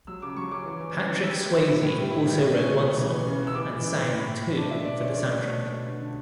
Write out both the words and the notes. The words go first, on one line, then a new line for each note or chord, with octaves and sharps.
Patrick Swayze also wrote one song and sang two for the soundtrack.
F#3 E6
C#3 D6
F#3 C#6
C#4 D6
E3
E3
C#4
E3
G3 E6
G3
E4
E4
A2
G3
E4
G3
B2
C#4
A3
B2
E3
E3
C#3
B3
E6
E3 D6
E3
E3
E4
A2
A2
A2
D4
B2 E5
B2 D5
C#4 C#5
C#4 D5
B2
A3
A3
B2
D3
D3